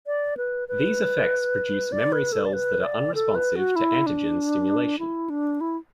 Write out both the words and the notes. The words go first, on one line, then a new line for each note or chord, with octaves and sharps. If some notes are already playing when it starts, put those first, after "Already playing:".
These effects produce memory cells that are unresponsive to antigen stimulation.
D5
B4
B4
D5
B4
A4
D5
B4
D5
A4
B4
F#4
E4
D4
E4
D4
E4